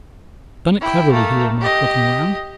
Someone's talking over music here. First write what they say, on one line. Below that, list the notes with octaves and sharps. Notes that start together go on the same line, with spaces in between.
"Done it cleverly," he remarked, looking round.
E4 G5
A3 A#3
G4 D#5